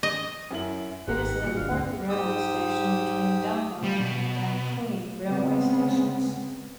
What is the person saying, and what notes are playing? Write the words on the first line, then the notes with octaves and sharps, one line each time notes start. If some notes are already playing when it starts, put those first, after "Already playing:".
It is an important railway station between Dum Dum and Dankuni railway stations.
D#5
F#2 E4 F#7
G#1 D#2 G4 A#4 F#5
A#2 F#4 C#7
G1 B3 D4 F5
D2 A3 D4 G#4 F#5
G#2 G4 D#6 E6
G3
B2
C#3 G#3 B3 C4